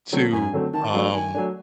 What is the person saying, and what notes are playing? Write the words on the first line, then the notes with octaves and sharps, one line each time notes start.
to, um,
D3 F#3 A3 C4
F#2 G#5
D3 F#3 A3 C4
D#3 A5
F#3 A3 D4
D#3 G#5
F#3 A3 D4